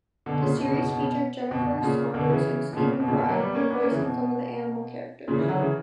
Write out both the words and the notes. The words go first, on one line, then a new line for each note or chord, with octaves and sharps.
The series featured Jennifer Saunders and Stephen Fry voicing some of the animal characters.
B2 D3
A#2 C#3
B2
C#3
B2
C#3
B2
C#3
B2
B2
B2
B2
A#2 C#3
B2 D3
C#3 E3
B2
A#2 C#3
B2
A#2 C#3
B2
F#3 A#3
G3 B3
A#3 C#4
B3 D4
A#3 C#4
C#3 E3
B2
A#2 C#3
C#3 E3
D3 F#3
C#3 E3